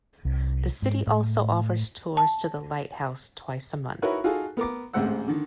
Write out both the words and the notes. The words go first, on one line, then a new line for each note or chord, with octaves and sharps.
The city also offers tours to the lighthouse twice a month.
C2
G#2
A2
A5
D#4 E4 F#4 A#4 B4 C#5
D#4 F4 F#4 G#4 A4
B3 A#4 A#5 D6
A1 D2 G#2 C4 F#5 E6
D3 D#3